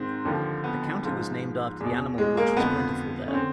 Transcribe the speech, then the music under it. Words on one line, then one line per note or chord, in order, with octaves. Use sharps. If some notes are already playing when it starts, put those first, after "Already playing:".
The county was named after the animal which was plentiful there.
Already playing: G#2 D#3 C4
D#2 D3 F3
B3
G#2 F3
E2 B2
G#3
A#3
F2 D3 F3 B3
C#4
D3 C4